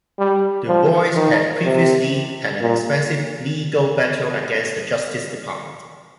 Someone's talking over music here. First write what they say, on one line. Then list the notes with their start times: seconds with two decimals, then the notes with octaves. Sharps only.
Du Bois had previously had an expensive legal battle against the Justice Department.
0.19 G3
0.67 F3
1.15 D#3
1.65 C3
2.61 A#2